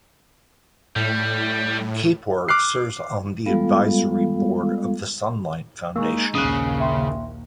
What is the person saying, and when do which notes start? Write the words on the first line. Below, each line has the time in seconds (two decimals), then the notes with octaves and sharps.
Kapor serves on the advisory board of the Sunlight Foundation.
0.96 A2 G3
2.49 D6 F6 F#6 C7
3.46 G3 G#3 B3 F4 A4 F5
5.96 G#3 A#3 D#4 C#6 E6
6.35 A#1 D#2 C#3 D#6 F#6
6.80 E5 G5 C6